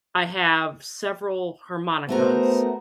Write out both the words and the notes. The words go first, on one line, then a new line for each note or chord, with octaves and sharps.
I have several harmonicas,
A3 B3 F#4 A#4 C5